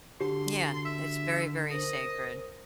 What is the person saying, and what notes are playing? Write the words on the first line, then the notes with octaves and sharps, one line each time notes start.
Yeah, it's very, very sacred,
D3 F#4 G4 C6
E5
A#4 C5 D#5